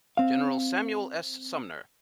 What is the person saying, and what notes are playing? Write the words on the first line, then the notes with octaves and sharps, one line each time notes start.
General Samuel S. Sumner.
C4 F5